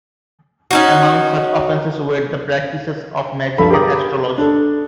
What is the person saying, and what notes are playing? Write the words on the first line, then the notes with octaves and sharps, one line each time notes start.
Among such offenses were the practices of magic and astrology.
C#4 D#4 F#4
G2 F3 A4 B5
G4 G#4 A#4 A#5 D6 D#6
D4 A4